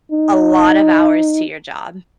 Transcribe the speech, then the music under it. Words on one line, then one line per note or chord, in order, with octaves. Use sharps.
a lot of hours to your job.
D#4